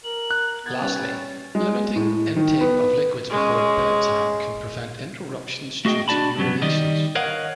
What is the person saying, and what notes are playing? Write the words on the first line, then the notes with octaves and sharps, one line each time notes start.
Lastly, limiting intake of liquids before bedtime can prevent interruptions due to urinations.
A#4 F#7
F#6
B3 G#6 A6
G3 C#4 B4 C#5
G#3
A2
D#3
B3
G#3 C#4
A3 F#4 G#4 D#5 G5
D4 F#4 D5 A5 B5
G2 C#3 F#3 B3
D#3 G3 D5 D#5
A#4 C#5 D#5 F5 F#5